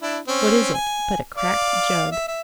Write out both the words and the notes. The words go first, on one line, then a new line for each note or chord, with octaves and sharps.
What is it but a cracked jug?
D4 E4
C4 C#4
G#5
D5 F5
E5
E5